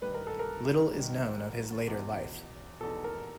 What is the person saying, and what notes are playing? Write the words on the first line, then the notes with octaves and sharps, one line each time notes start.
Little is known of his later life.
G2 D#3 B4
A#4
A4
A#4
G2 D#3
E2 B2
E2 B2 A4
A#4